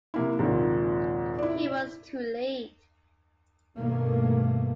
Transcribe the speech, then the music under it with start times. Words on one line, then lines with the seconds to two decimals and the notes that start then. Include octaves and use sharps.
He was too late.
0.14 C3 A#3 E4
0.39 A#1 D#2 G#2 C3 F4
1.38 E4 D5
3.78 G2 B2 D#3 A3 A#3